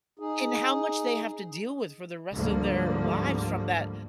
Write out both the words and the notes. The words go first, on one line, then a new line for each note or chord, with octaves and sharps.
and how much they have to deal with for the rest of their lives from that,
D#4 G#4
D2 G#2 D3 F3 G3 A#3